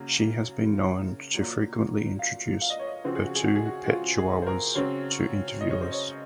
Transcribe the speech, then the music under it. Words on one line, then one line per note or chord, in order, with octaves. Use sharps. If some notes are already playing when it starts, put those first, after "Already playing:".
She has been known to frequently introduce her two pet chihuahuas to interviewers.
Already playing: C#3 F#3 A#3
A#2 F#3 A#3
F5
F5
D#5
C#5
D#5
C#3 F3 C4 F#4
G#4
F#4
G#4
F#4
G#4
F#4
F#4
F4
G#4
C5
A#4
C#3 F#3 C4 C#5
D#5
C#5
C5
C#5